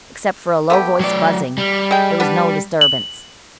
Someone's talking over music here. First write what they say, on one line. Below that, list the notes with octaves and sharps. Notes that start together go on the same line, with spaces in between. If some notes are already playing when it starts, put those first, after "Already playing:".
Except for a low- voiced buzzing, there was no disturbance.
A3 B3 G4
F#3 D5
G3
G#3 G5
B3 D4 B4
F#7